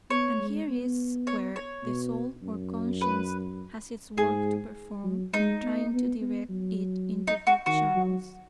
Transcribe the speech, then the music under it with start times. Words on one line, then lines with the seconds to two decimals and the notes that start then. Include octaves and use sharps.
And here is where the soul or conscience has its work to perform, in trying to direct it into good channels.
0.10 B3 C#5
0.40 G#3
0.69 B3
1.27 C#5
1.56 C#5
1.85 B2
2.42 F#2
3.01 B4
4.17 G#2 G#4
5.04 F#3
5.34 G#3 D#4
5.62 B3
5.92 B3
6.21 B3
6.50 F#3
7.27 D#4
7.47 F#4
7.66 D#3 F#4
7.96 F#3